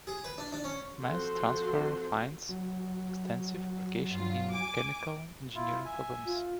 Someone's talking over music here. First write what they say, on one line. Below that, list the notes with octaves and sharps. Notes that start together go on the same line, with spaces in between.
Mass transfer finds extensive application in chemical engineering problems.
G#4
B4
D4
D4
C#4
F3 C4 F#4 A4 C5 C6
F#3
G2 F4
G#5 D6
E4 F4
E5 G#5
F4